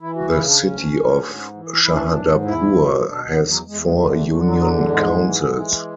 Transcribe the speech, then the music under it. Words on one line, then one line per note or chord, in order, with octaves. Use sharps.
The city of Shahdadpur has four union councils.
E3 E4
F#4
C#3 E4
D4
D2 C#4
D2
G#2
E3
E3 E4
D4
C#4
G#2 D4
E2 E4
B2
B2 D4
B3
E2
F#3
E2 G#3
G#3
D3
A3
D3 A3
F#3
E2 F#3
G#2 G#3
E3
E3